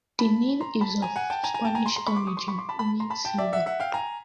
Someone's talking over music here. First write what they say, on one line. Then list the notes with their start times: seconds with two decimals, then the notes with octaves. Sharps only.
The name is of Spanish origin meaning "Silver".
0.19 A5 B5
0.60 A#5 C6
0.81 A5 B5
1.02 G#5 A#5
1.16 F#5 G#5
1.30 G5 A5
1.43 G#5 A#5
1.54 G#5 A#5
1.65 G5 A5
1.75 G#5 A#5
1.86 A#5 C6
1.96 A#5 C6
2.07 B5 C#6
2.16 C6 D6
2.27 C#6 D#6
2.37 C6 D6
2.48 B5 C#6
2.58 C6 D6
2.69 A5 B5
2.79 A5 B5
3.00 A#5 C6
3.10 A5 B5
3.25 G5 A5
3.38 D5 E5
3.53 E5 F#5
3.66 E5 F#5
3.80 F5 G5
3.94 G#5 A#5